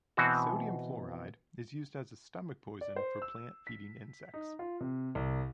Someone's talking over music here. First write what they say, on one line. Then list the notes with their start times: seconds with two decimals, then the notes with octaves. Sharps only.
Sodium fluoride is used as a stomach poison for plant-feeding insects.
0.17 B2 E3 C4 F#4
2.81 D5
2.96 C5
3.22 E6
3.67 B6
4.34 D#4
4.59 F4
4.81 C3
5.15 C2